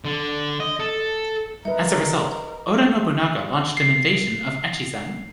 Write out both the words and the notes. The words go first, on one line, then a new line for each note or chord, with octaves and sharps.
As a result, Oda Nobunaga launched an invasion of Echizen.
D3
D#5
A4
G3 D#4 A#4 B4 E5
C7